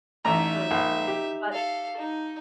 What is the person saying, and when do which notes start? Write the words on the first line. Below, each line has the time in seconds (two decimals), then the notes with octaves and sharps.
So you uh, what
0.25 A1 A3 D#4 E5 A#5
0.71 A#1
1.07 G4
1.52 A4 F5
1.97 D#4